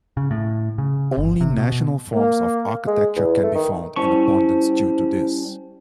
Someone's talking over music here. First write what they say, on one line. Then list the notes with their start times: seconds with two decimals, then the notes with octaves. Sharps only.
Only national forms of architecture can be found in abundance due to this.
0.17 C#3
0.31 A2
0.78 C#3
1.18 G1
1.41 C3
1.57 B2
2.14 A#3
2.87 G#3
3.16 E2
3.43 A3
3.55 D#3
3.96 G3 C#4 E4 C5 A5 C#6